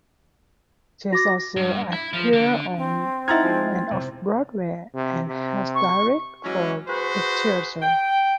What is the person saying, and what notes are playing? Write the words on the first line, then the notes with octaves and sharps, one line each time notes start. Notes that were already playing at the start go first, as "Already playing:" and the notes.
She has also appeared on and off-Broadway, and has directed for the theater.
F#4 D6 A6 A#6
G2
E4
F3
D3
C4
D#4 E4 F#5 A#5 F6 G#6 A6
F3 G#3
C3
C3
C3
C#6
E3 F#3 G#3 C#4
F#4 G#4 B4 C5
G5